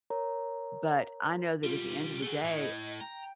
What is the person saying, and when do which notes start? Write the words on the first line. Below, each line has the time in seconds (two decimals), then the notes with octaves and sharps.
but I know that at the end of the day,
0.10 A#4 C#5 A#5
1.63 B1 G3 F4
2.22 A3 F#4 G#4
2.44 A2 D#5
3.01 G5 A#5